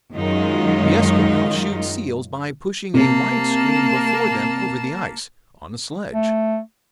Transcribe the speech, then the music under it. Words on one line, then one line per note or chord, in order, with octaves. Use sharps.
The Esquimaux shoot seals by pushing a white screen before them over the ice, on a sledge.
F#2 D#3 F#3 G#3 D#4 F4
C3 A#3 A5
A3